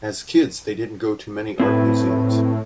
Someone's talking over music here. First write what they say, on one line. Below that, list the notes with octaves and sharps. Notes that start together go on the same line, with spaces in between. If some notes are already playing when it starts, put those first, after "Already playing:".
As kids, they didn't go to many art museums.
A2 C4 E4 B4